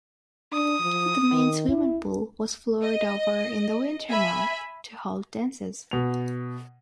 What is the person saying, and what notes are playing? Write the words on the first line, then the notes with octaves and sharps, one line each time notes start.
The main swimming pool was floored over in the winter months to hold dances.
D4 D#6
F3
D#3
E4
D#5
E5 G#5 B5
B2 F7